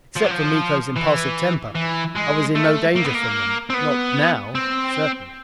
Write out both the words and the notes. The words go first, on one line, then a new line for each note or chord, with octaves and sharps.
Except for Miko's impulsive temper, I was in no danger from them--not now, certainly.
F3
F#3
F3
E3
E3
G#3
A3
A#3
B3
A#3
C4
B3
C4